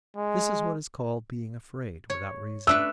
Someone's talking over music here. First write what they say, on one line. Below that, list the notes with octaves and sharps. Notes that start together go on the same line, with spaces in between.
This is what is called being afraid without reason.
G#3
C#5
A3 D4 B4 E6